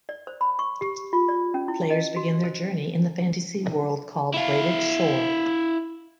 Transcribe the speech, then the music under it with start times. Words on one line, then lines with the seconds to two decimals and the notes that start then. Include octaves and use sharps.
Players begin their journey in the fantasy world called Braided Shore.
0.09 D5
0.27 C5
0.41 B5
0.59 C#6
0.81 G4
1.13 F4
1.29 D5
1.54 C#4
1.68 E4
1.90 D#5
2.16 F#4
2.44 C5
4.34 E4 F5